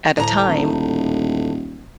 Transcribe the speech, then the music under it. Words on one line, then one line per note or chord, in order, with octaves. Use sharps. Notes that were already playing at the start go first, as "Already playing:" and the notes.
at a time,
D2 A2 A#5
D#1